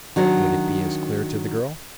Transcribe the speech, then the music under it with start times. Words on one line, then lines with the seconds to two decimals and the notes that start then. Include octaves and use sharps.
Would it be as clear to the girl?
0.16 D#3 F#3 D4 A#4